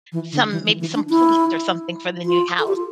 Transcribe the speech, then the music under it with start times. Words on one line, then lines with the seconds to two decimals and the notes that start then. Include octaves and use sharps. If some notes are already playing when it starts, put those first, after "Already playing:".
some maybe some plates, or something for the new house, or
0.12 E3
0.32 D3
0.51 E3
0.66 E3
0.80 E3
0.95 D4
1.10 E4
2.25 F4
2.59 A4
2.67 G4
2.76 F4